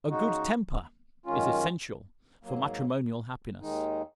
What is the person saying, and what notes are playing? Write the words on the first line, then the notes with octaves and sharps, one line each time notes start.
A good temper is essential for matrimonial happiness.
C#3 G#3 D#4 F#4
F#2 D#3 G#3 C#4 F4
G#2 F#3 A#3
D#2 D#3 G#3 D#4